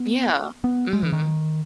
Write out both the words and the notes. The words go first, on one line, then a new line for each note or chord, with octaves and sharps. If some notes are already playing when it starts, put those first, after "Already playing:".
Yeah. Mhm.
Already playing: B3
B3
G#3
E3
D#3